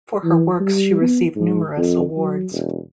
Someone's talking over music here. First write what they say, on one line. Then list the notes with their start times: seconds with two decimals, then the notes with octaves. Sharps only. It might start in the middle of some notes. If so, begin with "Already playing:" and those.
For her works she received numerous awards.
0.24 E3
0.60 G3
1.01 B3
1.36 G#2
1.77 F2
2.17 F#3
2.52 E1